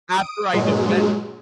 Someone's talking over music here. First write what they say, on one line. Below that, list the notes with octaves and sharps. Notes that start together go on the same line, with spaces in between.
after I defend
D#6 D7
G2 A#2 F#3 G#3